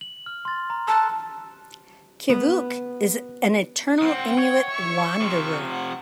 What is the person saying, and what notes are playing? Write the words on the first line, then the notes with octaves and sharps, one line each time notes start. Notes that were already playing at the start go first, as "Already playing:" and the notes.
Kiviuq is an eternal Inuit wanderer.
F#7
F6
C6 A6
A#5
A5 E6 F#6
B3
C2 C4 F#5 G5
C#5
E5 C#6
C3 F3
F#5